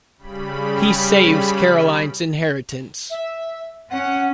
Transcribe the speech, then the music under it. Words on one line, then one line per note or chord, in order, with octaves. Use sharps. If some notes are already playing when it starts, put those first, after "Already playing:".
He saves Carolines inheritance.
C#3 G3 B5
E5
C#4 F#5